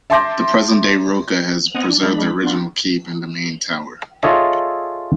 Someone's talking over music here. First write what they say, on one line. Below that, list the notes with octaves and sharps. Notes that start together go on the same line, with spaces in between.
The present-day Rocca has preserved the original keep and the main tower.
E5 A5 C6 D6 G6 A#6
B3 C4 D#5 F#5 G#5
D4
G#3 D4 B5
B3 D4 F4
F4 G#4 A4 C#5 D#5 E5